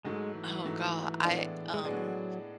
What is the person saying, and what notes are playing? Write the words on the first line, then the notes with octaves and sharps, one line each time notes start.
Oh, go I, um
G#2 F#3 G#3 A3
E3
G#2 F#3 A3
A2 G#3 B3 D4 G#4
G#3
A2 F#3 G#3 B3 D4 G#4